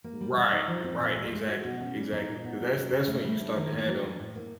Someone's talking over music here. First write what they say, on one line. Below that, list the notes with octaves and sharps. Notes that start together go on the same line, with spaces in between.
Right, right, exactly, exactly, 'cause that's that's when you start to have them,
A#3
G3
G3
D#4
F3
C4
A#2
G#3
G#3
F#4
B2
C#4
G3
D#4
A#2
B3
F#3
C#4
C#3
A3
G3
D4
D#3
A#3
F#3
D4
A2
A#3